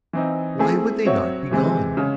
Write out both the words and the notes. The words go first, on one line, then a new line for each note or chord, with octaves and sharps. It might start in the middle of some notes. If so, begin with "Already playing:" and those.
Why would they not be gone?
E3 C4 D#4
A3 C4 E4 G#4
F#3 C4 F#4 C#5 E5
C3 E3 G#3 C4
C#3 G#3 C#4